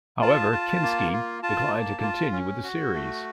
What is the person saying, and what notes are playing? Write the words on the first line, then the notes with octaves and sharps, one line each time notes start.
However, Kinskey declined to continue with the series.
F4 A5
F4
A#3
F4
F4 A5
A#3
F4
C#4
F#4
A3